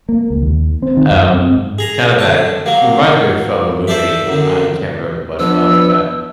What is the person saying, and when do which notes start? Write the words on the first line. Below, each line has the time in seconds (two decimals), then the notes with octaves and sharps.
Um, kind of that, reminds me of of a movie, I can't remember what it was, but,
0.09 A#3
0.30 C#2
0.42 D#2
0.82 C4
0.97 D#3
1.11 F#2
1.34 C4
1.52 G#2
1.79 G#4 A#5
2.19 D3 A5
2.66 F#3 A#3
3.87 A4 C5 D5 E5
4.27 F#2 D3
5.39 F3 B3 D4 E6